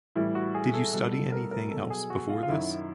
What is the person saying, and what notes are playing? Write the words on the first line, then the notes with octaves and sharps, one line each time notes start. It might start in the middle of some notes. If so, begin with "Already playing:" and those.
Did you study anything else before this?
A2 E3 G3 E4
F#4
G#4
A4
B2 G3 A4
A4
A#4
A#4
B2 F#3 A4
G#4
F#4
F4
F4
F#2 D#3 F#3 E4